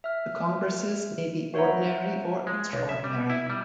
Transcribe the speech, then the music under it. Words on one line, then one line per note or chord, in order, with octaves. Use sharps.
The congresses may be ordinary or extraordinary.
E5 F6
F#4 C5 C#5 E5 F#5 A#5
G#3
B1
E5
G3
E4
G3